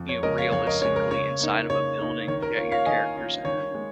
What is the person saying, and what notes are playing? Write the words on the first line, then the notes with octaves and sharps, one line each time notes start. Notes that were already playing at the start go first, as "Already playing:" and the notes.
you know, realistically inside of a building that your character's in and
Already playing: F2
C#5
C#3 G#3 A#4 D#5
C#5 F5
F2 C#5
A#4 D#5
C#3 G#3 C#5
A#4
C#3 C#5
A#3 D#4
C#3 C#5
A#3 D#4
D#3 C#5
A#4
A#3 C#4 F4 C#5
C#5 F5
D#3 D#5 G#5
A#3 C#4 F4
D#3 C#5
G#3